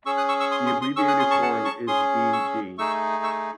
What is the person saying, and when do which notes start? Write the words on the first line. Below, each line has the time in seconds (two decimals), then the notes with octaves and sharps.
The abbreviated form is v.d.
0.06 C#4 G#4 C#6 E6
0.17 D#6 F#6
0.29 C#6 E6
0.40 C#6 E6
0.51 C6 D#6
0.66 C6 D#6
0.81 C6 D#6
0.96 C#4 G#4 C#6 E6
1.08 D#6 F#6
1.19 C6 D#6
1.30 A5 C#6
1.42 F#5 A5
1.65 A5 C#6
1.87 C#4 G#4 C6 D#6
2.33 C#6 E6
2.78 A3 D#4 G#4 C#6 E6
3.23 C#6 E6